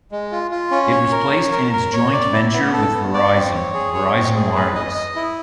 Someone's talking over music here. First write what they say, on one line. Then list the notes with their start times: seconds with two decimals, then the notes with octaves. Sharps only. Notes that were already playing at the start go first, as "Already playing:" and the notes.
It was placed in its joint venture with Verizon, Verizon Wireless.
0.12 G#3
0.32 F4
0.51 F4
0.71 C#4
0.92 C#5
1.12 A#4
1.32 C#5
1.52 A#4
1.72 A#4
1.93 C#5
2.13 D5
2.33 E4
2.53 B3
2.73 A4
2.94 B3
3.14 D5
3.34 C4
3.54 C#5
3.74 G#4
3.94 C#5
4.15 C4
4.35 G#4
4.55 B4
4.75 D#5
4.95 D#5
5.16 E4